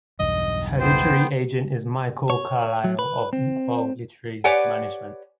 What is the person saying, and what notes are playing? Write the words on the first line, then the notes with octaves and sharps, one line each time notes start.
Her literary agent is Michael Carlisle of Inkwell Literary Management.
B1 E2 G2 D#5
B3 E4 C5 G5
C#5
F#3
B4
C4
G4 B4 C#5 D5 F#5 G#5